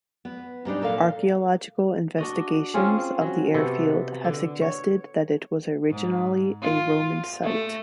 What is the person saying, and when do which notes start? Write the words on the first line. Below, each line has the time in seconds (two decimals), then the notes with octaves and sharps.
Archeological investigations of the airfield have suggested that it was originally a Roman site.
0.25 B3
0.65 G#2 G3 D4 D#4
0.82 A#2 A4 D#5 F5
2.18 D4 F#4 D#5
2.74 C4 C#4 F4 G#4
3.22 F#3
3.54 C3 B3 F#4 A4
4.24 D3
4.62 C#5
5.90 G#2
6.62 F4
7.43 A3